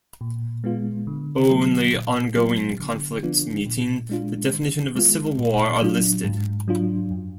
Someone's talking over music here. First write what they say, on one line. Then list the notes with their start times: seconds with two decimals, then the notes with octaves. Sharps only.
Only ongoing conflicts meeting the definition of a civil war are listed.
0.21 A#2
0.64 G#3 B3 F4
1.07 D3
1.50 F#3 A#3
1.93 A#2
2.36 F#3 B3 F4
2.80 D3
3.23 F3 B3 D4 F4
3.66 A#2
4.09 G#3 D4 F4
4.52 D#3
4.95 G#3 B3 F4
5.39 A#2
5.82 F#3 D4 F4
6.24 G#2
6.68 F#3 D4 F4
7.11 F#2